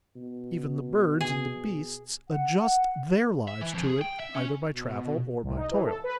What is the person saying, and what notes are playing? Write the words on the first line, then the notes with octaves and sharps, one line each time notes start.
Even the birds and the beasts adjust their lives to it either by travel or by toil.
B2
G#4
F#5
E5
E3
F2
G#4
G5
E5
C#4
B2
C2
D#4
E3
A4
B4